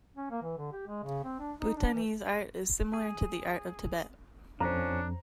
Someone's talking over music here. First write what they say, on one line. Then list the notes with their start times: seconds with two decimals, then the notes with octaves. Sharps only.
Bhutanese art is similar to the art of Tibet.
0.16 C#4
0.31 A#3
0.42 E3
0.58 D3
0.72 G4
0.87 G#3
1.04 C#3
1.24 C4
1.40 D4
1.60 D#4
1.76 D4
1.95 E3
2.93 G#4
4.60 F2 F3 C#4 D4 C5 C#5 A#5